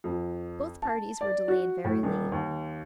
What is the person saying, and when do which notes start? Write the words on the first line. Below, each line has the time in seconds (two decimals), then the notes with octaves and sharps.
Both parties were delayed very late.
0.04 F2
0.82 A5
1.21 D5
1.48 F#4
1.84 A2
2.03 D#1
2.32 D#2